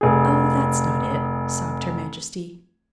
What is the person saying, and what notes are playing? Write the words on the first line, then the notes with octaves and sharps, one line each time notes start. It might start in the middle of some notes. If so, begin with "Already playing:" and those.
"Oh, that's not it!" sobbed her Majesty.
F1 G#4